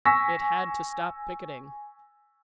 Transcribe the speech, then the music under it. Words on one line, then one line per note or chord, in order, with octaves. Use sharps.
It had to stop picketing.
G#5 C#6 E6 A#6 B6